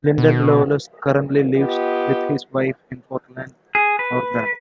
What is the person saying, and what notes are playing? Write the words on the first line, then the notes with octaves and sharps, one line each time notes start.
Lyndon Lawless currently lives with his wife in Portland, Oregon.
B2
B3 F4 G4 D#5
G#4
B4